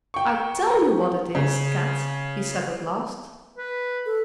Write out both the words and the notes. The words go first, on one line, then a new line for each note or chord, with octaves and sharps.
"I tell you what it is, Kat," he said at last.
G5 C#6
C#3
B4
A4